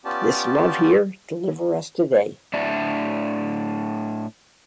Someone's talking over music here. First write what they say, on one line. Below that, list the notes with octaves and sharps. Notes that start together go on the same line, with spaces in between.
This love here deliver us today.
B3 C#4 F4 G4 D5 A5
A2 D4 D5 E5